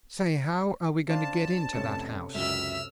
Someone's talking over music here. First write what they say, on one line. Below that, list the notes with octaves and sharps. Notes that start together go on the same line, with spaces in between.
"Say! how are we going to get into that house?"
D4 C5 F5 A5
F1 C3 C#4 A4 C#7
C#2 F#2 E5 E6 F6